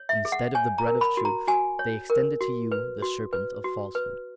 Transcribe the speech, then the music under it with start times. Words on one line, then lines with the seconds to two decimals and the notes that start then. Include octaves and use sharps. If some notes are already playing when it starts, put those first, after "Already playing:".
Instead of the bread of truth, they extended to you the serpent of falsehood.
Already playing: C#5
0.09 E5
0.25 G#4
0.32 F#5
0.55 C#5 G#5
0.78 A#5
0.87 A#4
1.01 B5
1.17 F#4
1.25 A#5
1.48 F#4 G#5
1.79 C#5
2.10 A#4
2.41 F#4
2.72 B4
3.02 F#4
3.33 B4
3.64 F#4
3.95 B4